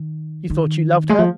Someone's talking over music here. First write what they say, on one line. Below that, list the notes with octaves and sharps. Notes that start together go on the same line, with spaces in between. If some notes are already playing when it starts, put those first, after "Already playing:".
You thought you loved her!
Already playing: D#3
D#3
G#3
F3